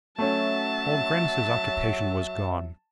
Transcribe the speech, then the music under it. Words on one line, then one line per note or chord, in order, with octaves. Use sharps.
Old Grannis's occupation was gone.
F#3 A3 C#4 E5 A5